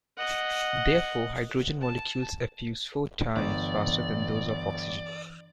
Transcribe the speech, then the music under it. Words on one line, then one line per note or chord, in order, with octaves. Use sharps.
Therefore, hydrogen molecules effuse four times faster than those of oxygen.
D#5 F#5
A5
G1 E3 D5